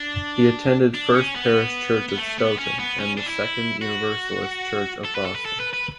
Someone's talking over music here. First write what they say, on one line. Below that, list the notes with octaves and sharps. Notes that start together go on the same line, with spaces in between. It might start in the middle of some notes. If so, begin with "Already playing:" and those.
He attended First Parish Church of Stoughton and the Second Universalist Church of Boston.
Already playing: D4
D4
C#4
B3
B3
A3
B3
C#4
B3
C#4
D4
E4
F#4
A4
B4
A4
B4
A4
B4
B4